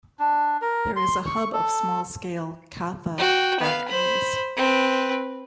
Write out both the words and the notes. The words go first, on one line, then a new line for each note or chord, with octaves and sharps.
There is a hub of small scale Katha factories.
D4
A#4
C6
C#6
A4
F#4 G5
B3 F5
C5 B5
C4 B4